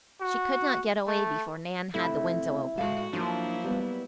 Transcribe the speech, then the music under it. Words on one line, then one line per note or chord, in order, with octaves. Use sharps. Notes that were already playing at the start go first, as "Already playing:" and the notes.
She could not get away before Nan had the window open.
F#4
A3
C3 A3 E4
A2 G#3 F#4 F5 A5
F3 F#3 A#3 D4 E4 G#5
G3 B3